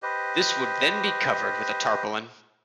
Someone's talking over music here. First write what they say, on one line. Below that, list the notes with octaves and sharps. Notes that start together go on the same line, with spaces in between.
This would then be covered with a tarpaulin.
G4 B4 C5 D#5